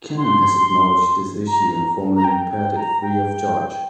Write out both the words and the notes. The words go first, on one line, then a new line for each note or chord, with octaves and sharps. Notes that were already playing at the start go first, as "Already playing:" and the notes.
Canon has acknowledged this issue and formerly repaired it free of charge.
C6
A#5
A#5
G5
G5
A#5
G5